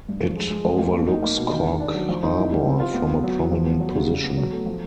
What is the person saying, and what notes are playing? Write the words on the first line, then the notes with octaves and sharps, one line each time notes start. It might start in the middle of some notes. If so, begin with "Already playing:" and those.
It overlooks Cork harbour from a prominent position.
G2
F3
G#3
G#3
F3
F3
A#3
D#4
A#3
B2
D#3
D#3
D4
F#3
F3
D#4
E4
G3
C4
F4
B3
B3
F#3
E4
F3
B3
F#3
C#3
G3
B3
F#3
A3
F3